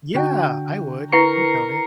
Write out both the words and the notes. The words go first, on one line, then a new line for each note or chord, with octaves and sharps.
Yeah, I would, I would count it.
D3 F#4 G5
E4 A#4 B4 A#5 C#6 C7 C#7